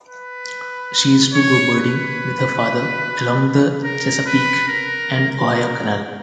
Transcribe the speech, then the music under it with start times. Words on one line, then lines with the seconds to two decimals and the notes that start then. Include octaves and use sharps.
She used to go birding with her father along the Chesapeake and Ohio Canal.
0.09 B4
1.34 C#5
1.75 B4
3.84 A#4
4.26 B4
4.68 A#4
5.51 A#4